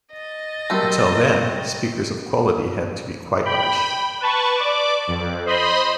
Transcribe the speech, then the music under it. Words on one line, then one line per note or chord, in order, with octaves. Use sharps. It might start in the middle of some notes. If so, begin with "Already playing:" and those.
Until then, speakers of quality had to be quite large.
D#5 A6
F#3 G3 A3 C4 A#4
G5 B5
B4 A5 C#6
D5 D6
F2
C5 D#5 B5 C6